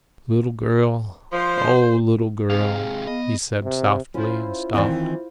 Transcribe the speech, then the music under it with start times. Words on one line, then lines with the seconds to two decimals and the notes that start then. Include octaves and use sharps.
"Little girl--oh, little girl," he said softly, and stopped.
1.33 F3 C5
2.50 G#2 C3 G#4 F5
3.07 B3 D#5
3.64 C3
4.14 C#4 E4 F4 C5
4.74 E2 D#3 E3 C4 D5